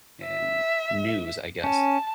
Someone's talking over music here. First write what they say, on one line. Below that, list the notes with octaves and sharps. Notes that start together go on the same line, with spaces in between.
erm, news, I guess,
E5
C#4 A5